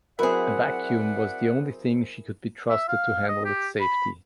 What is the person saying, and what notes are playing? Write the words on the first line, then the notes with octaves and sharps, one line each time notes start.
A vacuum was the only thing she could be trusted to handle with safety.
F#3 C4 E4 G#4 A#4 D5 E5 F#5
E5
F5
D#5
G4
B5